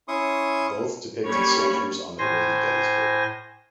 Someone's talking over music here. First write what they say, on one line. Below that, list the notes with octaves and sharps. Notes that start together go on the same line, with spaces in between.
Both depicted soldiers on their way to Gettysburg.
C#4 E4 C6 C#6 D#6
G3 A#3 C#4 C#5 B5
A2 C5 G#5 C6 A#6